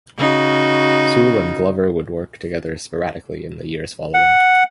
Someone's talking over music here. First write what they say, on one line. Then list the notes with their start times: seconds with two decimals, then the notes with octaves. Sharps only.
Soule and Glover would work together sporadically in the years following.
0.18 C#3 D#4 F#4
4.14 F#5